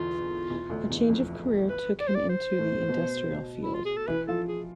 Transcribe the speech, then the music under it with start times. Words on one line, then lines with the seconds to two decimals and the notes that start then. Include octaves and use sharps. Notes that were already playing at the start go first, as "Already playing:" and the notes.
A change of career took him into the industrial field.
Already playing: E2 D3 E3 F4
0.50 E2 E3
0.70 D2 D3
0.90 E2 E3
1.10 F2 F3
1.69 B4
2.00 D5
2.08 C5
2.15 D5
2.29 C5
2.59 A2 A3
2.88 B2 B3
3.63 E4
3.74 F4
3.85 G#4
3.96 A4
4.08 E3 E4 B4
4.28 F3 F4 A4
4.48 G#4